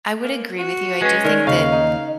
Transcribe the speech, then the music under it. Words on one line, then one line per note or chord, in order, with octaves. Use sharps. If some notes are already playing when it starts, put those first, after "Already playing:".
I would agree with you. I do think that th
A#3
F#4
G#3 C#4 B4
D#3 A#4 D5
D#2 C#3 D#5 F5
D#4